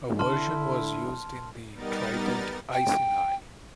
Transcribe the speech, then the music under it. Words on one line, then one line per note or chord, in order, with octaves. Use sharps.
A version was used in the Trident Iceni.
D3 E4 A5 C6 F6
G3 B3 D#4 A#4 A6
G5